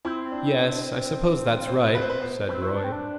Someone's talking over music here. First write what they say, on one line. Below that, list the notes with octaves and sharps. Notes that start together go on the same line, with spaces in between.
"Yes; I suppose that's right," said Roy.
C4 E4
D4
C5
B4
C5
B4
B3 C5
C4 B4
E4 C5
D4
C4
D4